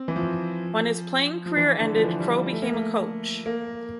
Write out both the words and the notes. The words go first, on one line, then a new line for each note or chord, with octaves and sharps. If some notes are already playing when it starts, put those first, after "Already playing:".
When his playing career ended, Crow became a coach.
Already playing: C4
E3
F3
F3
E3
D3
F3
E3
G3
A3
A#3
A3
A#3